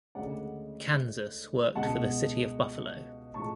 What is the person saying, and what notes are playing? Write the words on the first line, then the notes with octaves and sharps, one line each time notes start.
Kansas worked for the city of Buffalo.
D2 C#3 G#3 D5 F#5
C#2 B2 G#3 F#5 A5
A2 F3 G#3 A5 C#6